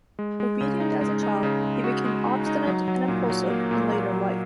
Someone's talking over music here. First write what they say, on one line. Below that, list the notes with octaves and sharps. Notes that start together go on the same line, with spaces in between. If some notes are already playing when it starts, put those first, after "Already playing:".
Obedient as a child, he became obstinate and impulsive in later life.
G#3
G#3
C#3
D#4
G#3
D#4
C#3
G#3
F#4
G#3
D#4
D#4
F#3
F#3
A#2
F#3
A#3
A#2
A#2
F#3